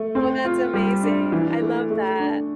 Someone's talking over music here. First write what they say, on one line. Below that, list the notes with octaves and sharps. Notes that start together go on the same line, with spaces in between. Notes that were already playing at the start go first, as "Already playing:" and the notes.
Oh, that's amazing, I love that.
Already playing: A3
C4
F4
G3
D4
E3
A3
A3
D4